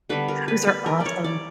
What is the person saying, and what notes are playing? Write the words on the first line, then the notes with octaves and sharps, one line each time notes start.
Those are awesome.
D3 G3 B3 B4
A#4
B4
B4
A#4
D5
C#5
D5